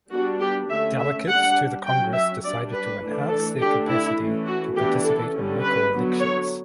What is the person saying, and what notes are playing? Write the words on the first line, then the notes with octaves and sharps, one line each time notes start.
Delegates to the congress decided to enhance their capacity to participate in local elections.
G3 B3 D4 F#4
G4
D3 A3 C#4 E5
E5
G3 D4 F#5
F#3 C#4 G5
E5
G3 D4 D5
B4
E3 A3 D4
A4
D3 A3 D4 G4
E4
E3 A3 C#4
F#4
E3 B3 D4 G4
A4
D3 G3 C#4
B4
D3 F#3 B3
C#5